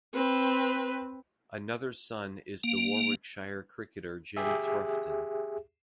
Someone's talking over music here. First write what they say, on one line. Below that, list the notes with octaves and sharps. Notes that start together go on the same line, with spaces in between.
Another son is the Warwickshire cricketer Jim Troughton.
C4 B4
A#3
G4 G#4 E5